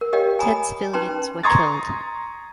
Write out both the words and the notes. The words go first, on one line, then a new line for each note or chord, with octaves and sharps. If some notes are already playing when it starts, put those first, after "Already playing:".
Ten civilians were killed.
A#4
G4 A#4 C#5 D#5 F5 G5
G#5 A#5 B5 D#6
C#4 D#4 B4 G5 A#5 C6
A#5 C6 C#6 D#6 G#6 A6